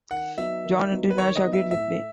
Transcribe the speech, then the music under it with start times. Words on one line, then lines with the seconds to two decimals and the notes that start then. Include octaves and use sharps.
John Henry Nash agreed with me.
0.11 D#3 F#5
0.37 F#3 B3 D#4 E5
0.64 D#3
0.91 F#3 B3 D#4
1.10 B4
1.18 D#3 C#5
1.36 D#5
1.44 F#3 B3 D#4
1.53 E5
1.71 A2 E5